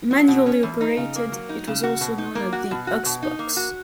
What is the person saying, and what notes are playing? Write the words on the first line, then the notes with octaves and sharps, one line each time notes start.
Manually operated, it was also known as the Ox Box.
F#3
B2
C#4
E2
D#4
C#3
A#3
F#3
D#4
C#3
F#4
B2
D#4
A#3
F#4
B2
F#4
B2
D#4
A#3
F#4